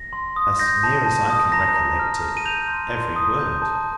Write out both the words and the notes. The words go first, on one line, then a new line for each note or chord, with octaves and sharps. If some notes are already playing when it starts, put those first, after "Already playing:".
"As near as I can recollect it, every word."
Already playing: A#6
C6
D#6
G6 A#6
A5
A5
D#6
A#5 A#6
A#5
F6
F6
D#7
G6 F7
C6
C6
D#6
G6
A5